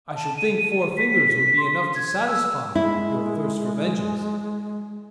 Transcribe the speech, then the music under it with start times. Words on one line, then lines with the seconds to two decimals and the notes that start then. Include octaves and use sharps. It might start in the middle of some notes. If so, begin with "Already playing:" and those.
I should think four fingers would be enough to satisfy your thirst for vengeance.
0.16 A5
0.37 D#7
0.98 B6
1.28 B6
1.57 C6
1.73 C6
1.96 G#6
2.27 E6
2.75 G#3 E4